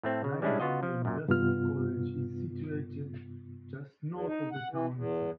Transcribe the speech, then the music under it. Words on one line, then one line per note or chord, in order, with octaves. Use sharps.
Lillehammer University College is situated just north of the town itself.
A2 A3 C4
C#3
G3 G#3 C#4 D4 E4 G#4
B3 F4 F#4 D#5
F3
F#2 A#2
G2 C3 B3 F4 F6
E2
D#4
F#5
E3
E2